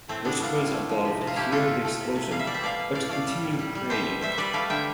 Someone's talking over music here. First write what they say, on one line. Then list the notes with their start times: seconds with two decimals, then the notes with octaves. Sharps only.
Worshipers above hear the explosion but continue praying.
0.08 A2 A3 C4
0.25 A2 B3 D4
0.39 G3 D4 F4
0.57 A2
0.73 A3
0.89 F3
1.05 C3
1.21 C3
1.27 F4
1.36 A3 E4 G4
1.52 A3 F4 A4
1.68 A2
1.85 A3
2.00 C3
2.16 C3
2.31 G3 F5
2.39 E5
2.47 B2 D5
2.54 C5 E5
2.61 B2 D5 F5
2.79 B2
2.95 A2 D5 F5
3.09 A3 D5 F5
3.27 G3
3.43 A2
3.59 G3
3.75 G3
3.90 B2 C5 E5
4.07 B2
4.21 G3 C5 E5
4.38 G3 B4 D5
4.53 A3 D5 F5
4.70 D3 E5 G5